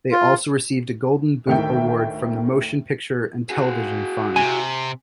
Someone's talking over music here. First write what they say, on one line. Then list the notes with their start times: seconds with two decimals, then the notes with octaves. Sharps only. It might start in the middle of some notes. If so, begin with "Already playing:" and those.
They also received a Golden Boot Award from the Motion Picture and Television Fund.
0.12 F4
1.47 D2 A2 D#3 E5 G5
3.50 F#4 G#4
4.36 C3 G#5